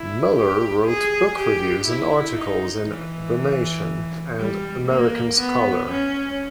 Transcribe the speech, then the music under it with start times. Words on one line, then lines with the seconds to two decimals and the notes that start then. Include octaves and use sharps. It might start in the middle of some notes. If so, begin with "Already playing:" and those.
Miller wrote book reviews and articles in "The Nation" and "American Scholar".
Already playing: E4
0.37 G4
0.88 G#4
1.38 G4
1.88 E4
2.38 D#4
2.88 E3
4.39 G3
4.89 A#3
5.40 B3
5.90 C#4